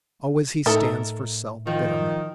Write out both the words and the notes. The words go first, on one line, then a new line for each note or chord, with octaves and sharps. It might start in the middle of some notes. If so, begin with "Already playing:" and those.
Always he stands for self-betterment.
A2 D#4 A4 A#4 E5
D#3 F3